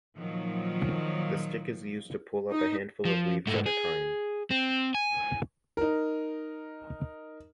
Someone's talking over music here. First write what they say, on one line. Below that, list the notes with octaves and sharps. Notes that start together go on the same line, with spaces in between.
The stick is used to pull up a handful of leaves at a time.
A#2 D#3 F3 F#3
D#4
F3
G#2 A3
G#4
C4
G#5
D#4 A#4